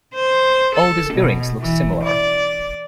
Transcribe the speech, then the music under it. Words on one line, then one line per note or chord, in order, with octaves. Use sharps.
All these bearings look similar.
C5
A4
B2
E3
D5